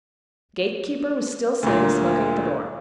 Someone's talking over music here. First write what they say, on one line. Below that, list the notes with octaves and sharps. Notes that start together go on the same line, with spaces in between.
The gatekeeper was still sitting smoking at the door.
D2 A#2